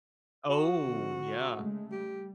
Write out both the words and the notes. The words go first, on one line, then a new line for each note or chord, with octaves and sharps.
Oh, yeah.
F#4
D3 F3 C4
G#3
C#3 G#3 A3
G3 G4